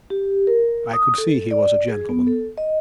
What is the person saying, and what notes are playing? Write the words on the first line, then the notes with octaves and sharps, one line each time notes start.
I could see he was a gentleman.
G4
A#4
D#6
A4
D5
G#4
B3
A4
D#5